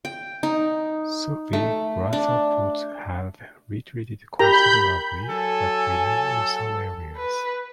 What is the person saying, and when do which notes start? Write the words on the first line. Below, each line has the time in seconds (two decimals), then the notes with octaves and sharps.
Sufi brotherhoods have retreated considerably, but remain in some areas.
0.05 G5
0.43 D#4
1.53 A3
2.13 D4
4.39 G4 A#4 A#5 B5 G6
5.27 F#3 A4 G#5
7.16 B4